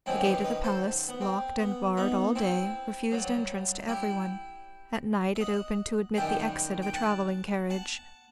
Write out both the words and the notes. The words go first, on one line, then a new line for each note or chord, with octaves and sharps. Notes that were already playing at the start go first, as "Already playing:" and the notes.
The gate of the palace, locked and barred all day, refused entrance to every one; at night, it opened to admit the exit of a travelling-carriage.
F#2 D#3 F#3 C4 E4
G4 B4
B4 D#5
A4 C5
B3
C4
B3
B3 D#4
C4 E4
G2 F#3
E4 G4
E5
D#5 F#5
F#2 D#3 G3 E5 G5
G5
F#5 A5
F#5 A5